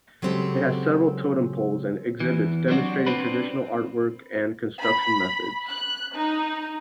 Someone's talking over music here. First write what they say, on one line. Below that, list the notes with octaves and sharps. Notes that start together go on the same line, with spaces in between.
It has several totem poles and exhibits demonstrating traditional artwork and construction methods.
C#3 F#3 G#3 C4 G4 A4
E2 E3
F#3 G3 B3 C4 D4 F#4
C4 D4 B4
B5
F#6
D#4